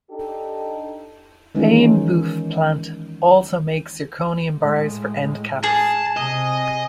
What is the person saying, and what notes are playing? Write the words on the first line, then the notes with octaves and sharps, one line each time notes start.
Paimboeuf plant also makes zirconium bars for end caps.
D4 D#4 G4 A4
D#3 E3 G#3 C#4 D#4 F4
A2 G#3
G#4 A5
C3 D#5